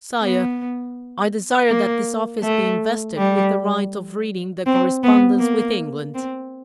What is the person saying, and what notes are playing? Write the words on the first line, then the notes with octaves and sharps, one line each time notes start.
"Sire, I desire that this office be invested with the right of reading the correspondence with England."
B3
A#3
A3
G3
C4
B3
A#3
C4